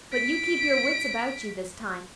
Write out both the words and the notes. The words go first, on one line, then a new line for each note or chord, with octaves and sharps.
But you keep your wits about you this time.
B6 D7